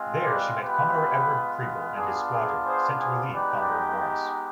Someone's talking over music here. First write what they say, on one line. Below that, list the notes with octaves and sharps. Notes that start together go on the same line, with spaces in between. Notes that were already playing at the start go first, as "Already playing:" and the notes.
There, she met Commodore Edward Preble and his squadron, sent to relieve Commodore Morris.
Already playing: G#3 C4 F4
B4 D5
G#3 B3 F4 G4 B4
B3 D4 F4 G#4
G#4
G#4 C5
G#4 C5
G#3 B3 D#4 G4 B4 D5